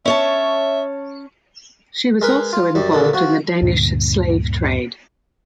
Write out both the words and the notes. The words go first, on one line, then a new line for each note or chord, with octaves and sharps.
She was also involved in the Danish slave trade.
C#4 C#5 E5 A5
G#3 A#4 B4
F4
F#2 G3
D#2 A#2 D3
F3 F#4
D2 G2 A#2 D3